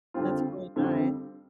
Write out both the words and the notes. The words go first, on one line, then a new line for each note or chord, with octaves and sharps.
That's really nice.
F2 D3 G3 C4 F4
F2 D3 G3 C4 F4